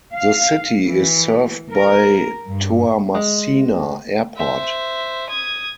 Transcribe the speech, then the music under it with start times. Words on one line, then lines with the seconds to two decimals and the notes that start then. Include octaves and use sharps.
The city is served by Toamasina Airport.
0.13 F5
0.88 E3
1.71 A#4
2.47 G2
3.14 G#3
4.37 C5 E5
5.29 D#6 G#6